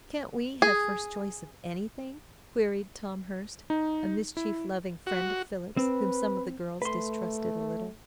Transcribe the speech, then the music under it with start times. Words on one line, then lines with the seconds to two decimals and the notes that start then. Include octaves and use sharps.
"Can't we have first choice of anything?" queried Tom Hurst, a mischief loving friend of Philip's whom some of the girls distrusted a little.
0.62 G#4
3.70 D#4
4.37 E4
5.07 F#4
5.77 C4 B4
6.82 A3 B4 C6